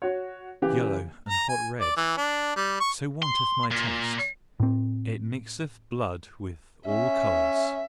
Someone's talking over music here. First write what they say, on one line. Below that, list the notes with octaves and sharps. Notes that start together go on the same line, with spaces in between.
Deep yellow and hot red--so wanteth MY taste--it mixeth blood with all colours.
F#4 C#5
C#3 E3 G4
A#5
G#5
D5
E3
D4
G3
C#6
C6
A#2
A2 C4
C#4 E5